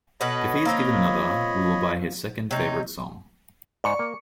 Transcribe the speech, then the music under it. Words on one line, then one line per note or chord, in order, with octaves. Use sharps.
If he is given another, we will buy his second favorite song.
B2 A4 B4 C#5 D#5 B5
A#3 C4 F4
C3 D#4 C#5
G#2 D5 C#6 C#7
A#3